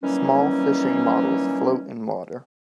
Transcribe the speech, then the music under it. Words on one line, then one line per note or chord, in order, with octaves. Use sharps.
Small fishing models float in water.
D#3 E3 F#3 G3 A#3 C#4